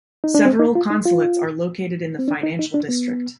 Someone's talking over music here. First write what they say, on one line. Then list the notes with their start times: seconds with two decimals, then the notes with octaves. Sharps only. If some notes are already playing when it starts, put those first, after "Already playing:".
Several consulates are located in the financial district.
0.24 D#4
0.35 D4
0.45 C4
0.60 D#4
0.75 F4
0.90 D#4
1.05 F4
2.19 C4
2.28 D4
2.43 D#4
2.59 D#4
2.74 D4
2.89 B3